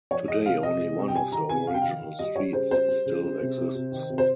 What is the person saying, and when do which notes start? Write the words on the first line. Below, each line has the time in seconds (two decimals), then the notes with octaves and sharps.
Today only one of the original streets still exists.
0.11 F3 C#5
0.28 G#3 D#5
0.40 D#5
0.45 C3 F5
0.62 C3 D#5
0.80 G#3
0.97 C3
1.08 G5
1.15 G3 G#5
1.32 D#3 A#5
1.49 C3 G#5
1.67 C3 F5
1.74 G5
1.82 D#3 F5
2.01 D#3
2.19 G3 D#5
2.36 G3 C#5
2.53 C#3 C5
2.71 G3 C5
2.88 G3
3.06 C#3
3.23 G3
3.40 C3
3.58 C3
3.75 C3
3.92 D#3
4.10 C3
4.18 C5